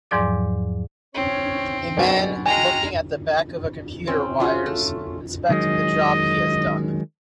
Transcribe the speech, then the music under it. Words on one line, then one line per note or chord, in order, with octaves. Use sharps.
A man looking at the back of a computer wires inspecting the job he has done.
E2 G#2 F3 F#3 D5 D6
C4 C#4 C#5 C#6
B1 F#2 D5 D#5
G#3 F#4 G5 G#5 A#5 F6
C4 C#4
C#4 F4 F#4 G#4
A3
D#3 F#3 G#3 D#5